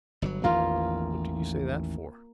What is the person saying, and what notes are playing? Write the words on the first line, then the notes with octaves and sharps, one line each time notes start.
What did you say that for?
G1 B2 F#3
A1 E2 D#3 A#3 F4